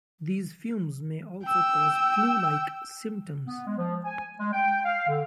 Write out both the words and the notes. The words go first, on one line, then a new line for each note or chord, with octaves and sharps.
These fumes may also cause flu-like symptoms.
G5 E6
B3
G#3
F3
G#5
G#3
G5
F5
D3